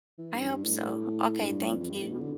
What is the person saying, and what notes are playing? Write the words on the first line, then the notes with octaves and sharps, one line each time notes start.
I hope so. Okay, thank you.
E3
G2
G2
A2
G2
F2
F2
G2
A2
B2
D3